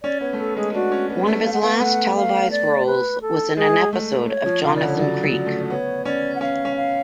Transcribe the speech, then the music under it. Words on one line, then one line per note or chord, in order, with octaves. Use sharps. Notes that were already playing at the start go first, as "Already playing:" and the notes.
One of his last televised roles was in an episode of "Jonathan Creek".
C#4 D5
B3 C#5
A3
B3 A4
G#3 G#4
D4 F#4
C#4
B3
A3
A3 F5
F#5
B3 F5
A3 F#5
F5
D5
B4
A4
G#3 G#4
A3
C#5
F3
C#3 F5
D5
D3
C#5
F#3 D5
F#3
A3
B3 C#5
C#4 D5
F#5
C#4 F5
C#4
F5